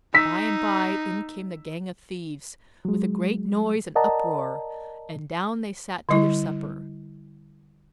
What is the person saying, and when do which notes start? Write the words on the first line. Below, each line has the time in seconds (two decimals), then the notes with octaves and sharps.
By-and-by in came the gang of thieves with a great noise and uproar, and down they sat to their supper.
0.14 D#4 E6 B6
2.85 F#3 G#3
3.96 A#4 D5 D#5 F#5 A5 A#5
6.09 D3 G3 E4